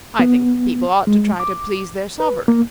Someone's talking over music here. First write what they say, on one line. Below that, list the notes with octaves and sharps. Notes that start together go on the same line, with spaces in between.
"I think the people ought to try to please their sovereign."
B3
G#3
D6
B4
A#3